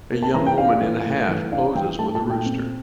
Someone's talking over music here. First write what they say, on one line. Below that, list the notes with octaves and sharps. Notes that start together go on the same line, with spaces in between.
A young woman in a hat poses with a rooster.
A#3
A5
E3 A#5
G5
D4 F5
E3
A3
E3
D4 F5
E3 G5
A3 A5
A5
A#2
G5
C4